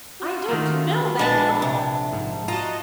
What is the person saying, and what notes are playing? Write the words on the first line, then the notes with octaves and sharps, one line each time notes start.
I don't know that at all!
F4 F#4
D#3 A3 A#3
A#1 G#3 B3 D4 D5 A5
C3
G#2
F4 F#4 D#5 A5 A#5